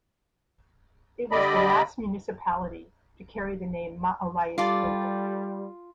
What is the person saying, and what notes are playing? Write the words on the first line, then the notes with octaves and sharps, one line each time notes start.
It was the last municipality to carry the name maalaiskunta.
D3 G3 D5 D#5 B5
G3 F4 A4 D5 D6